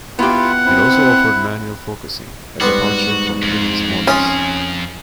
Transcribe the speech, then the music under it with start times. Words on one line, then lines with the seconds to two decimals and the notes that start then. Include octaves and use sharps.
It also offered manual focusing, a departure from previous models.
0.19 B3 E4 F4 G4 F#5
0.66 C4 E4
2.61 G#2 G3 B3 F#4 C5
3.42 F2
4.07 C#4 F4 D#6